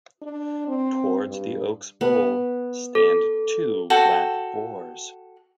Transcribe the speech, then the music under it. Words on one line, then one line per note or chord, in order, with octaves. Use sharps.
Towards the oak's bole stand two black boars.
D4
C4
G2
B3
A4
F#4 A4 G5